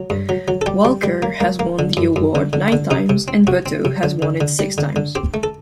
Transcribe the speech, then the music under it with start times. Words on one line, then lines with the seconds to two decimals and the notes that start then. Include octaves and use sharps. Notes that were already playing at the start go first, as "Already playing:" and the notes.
Walker has won the award nine times, and Votto has won it six times.
Already playing: F#3
0.10 G2
0.29 F#3
0.48 F#3
0.61 A4
0.66 G3 G4
0.85 G3
1.03 G3
1.22 A#3
1.41 A#3
1.59 A#3
1.79 D3
1.97 F#2
2.16 F#2
2.35 D3
2.53 D3
2.72 D3
2.91 C3 D#4
3.09 C3
3.28 C4
3.47 C3 F#4
3.66 C4
3.85 C3
4.03 D3
4.22 D3
4.41 D3
4.59 G3
4.78 D3
4.96 D3
5.15 C4 G4
5.34 A3
5.43 A4